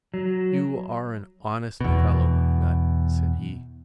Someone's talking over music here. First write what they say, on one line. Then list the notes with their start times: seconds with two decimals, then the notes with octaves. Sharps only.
"You are an honest fellow, McNutt," said he.
0.14 F#3
1.80 E2 B2